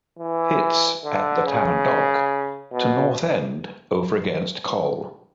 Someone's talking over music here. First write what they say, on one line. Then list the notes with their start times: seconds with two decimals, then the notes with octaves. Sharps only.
Pitts at the Town Dock to North End over against Col.
0.19 E3
1.04 D3
1.46 C#3
2.72 B2